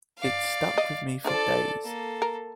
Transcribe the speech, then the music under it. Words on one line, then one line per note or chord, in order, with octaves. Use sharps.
It stuck with me for days.
D5 F5
D#5
D4 F4 A4 C5 D5
A#3 A4
A#4